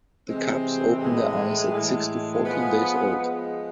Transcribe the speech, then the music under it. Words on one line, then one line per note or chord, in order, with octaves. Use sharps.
The cubs open their eyes at six to fourteen days old.
C3 E3 G#3 C4
A2 E3 G#3
A2 E3 G#3
F3 G#3 B3
F3 G#3 B3